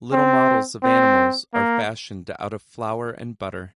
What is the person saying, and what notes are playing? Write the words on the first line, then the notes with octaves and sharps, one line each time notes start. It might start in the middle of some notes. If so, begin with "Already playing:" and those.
Little models of animals are fashioned out of flour and butter.
C4
C4
A#3